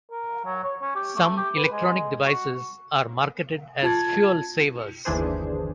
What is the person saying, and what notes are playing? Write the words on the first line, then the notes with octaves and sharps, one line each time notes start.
Some electronic devices are marketed as fuel savers.
A#4
F#3
C#5
C#4
G4
A3
G4
B4
G#3
F#4
F4 A5 G#6 A6
G1 D#2 E3 D4 G#4 C5